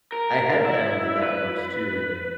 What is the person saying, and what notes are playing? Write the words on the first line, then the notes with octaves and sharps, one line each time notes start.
I have found that that works too, and
A#4
E4
B4